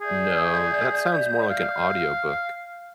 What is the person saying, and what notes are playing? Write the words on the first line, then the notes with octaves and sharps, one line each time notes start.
No, that sounds more like an audiobook
G#4 D5 E5 G6
F5